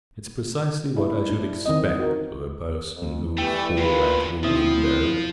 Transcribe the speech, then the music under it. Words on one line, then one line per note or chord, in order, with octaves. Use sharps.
"It's precisely what I should expect of a person who would fall out of a window."
G3 D4 E4
D4
D#3 C4 D#5
F#4 A#4
F2
E3 G3 A3 G5
E2 C3 A#3 F4 B4
D2 B2 D3 F3 C4 E4 D#6